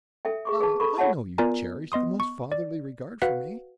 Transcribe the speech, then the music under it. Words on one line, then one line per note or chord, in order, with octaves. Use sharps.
I know you cherish the most fatherly regard for me.
A4 E5 G5
G#4 C#6 D6
G#4 B4 A5
A4 B5 C#6
F4 C#5 E5 F#5 A5
B3 F4 A#4 D5 G#5 A#5
B3 D#5 C6 D#6
C#6
D5
F#4 B4 F5 F#5 F#6 B6